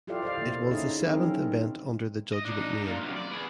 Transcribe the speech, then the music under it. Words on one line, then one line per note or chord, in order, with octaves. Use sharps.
It was the seventh event under the Judgement name.
E4 F4 G4 A4 D5 F5
C5 D5 D#5 F5
D3 A#3
C#4 D#4 E4 G#4 D#5
F#3 C4 C#4 D#4 A#4
D#5
D4 D#4
A#2 F4
F#2 C3
D5
B3 G#4